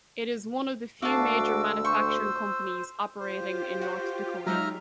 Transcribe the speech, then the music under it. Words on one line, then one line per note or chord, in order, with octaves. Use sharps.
It is one of the few major manufacturing companies operating in North Dakota.
D2 F#4 F5 A5 D6 E6
C5 C#6
F4 G4 C5
F#4
F#3 G#3 D#4 E5 A#5 F6